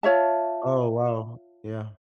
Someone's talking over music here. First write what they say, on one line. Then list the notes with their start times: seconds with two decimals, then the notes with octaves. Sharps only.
Oh, wow, yeah.
0.03 F4 C#5 E5 A5